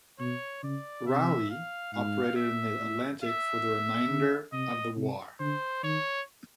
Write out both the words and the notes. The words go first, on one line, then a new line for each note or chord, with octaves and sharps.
"Raleigh" operated in the Atlantic for the remainder of the war.
B2 C#5
C#3 D5
C3 E5
F5
G#2 F5
E5
A2
E5
D3
C3 D#5
C3
D3 C5
D#3 C#5